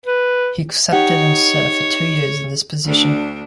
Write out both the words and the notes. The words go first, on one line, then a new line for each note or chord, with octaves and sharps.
He accepted and served for two years in this position.
B4
D#4 G4 C#5 F#5
D2 D4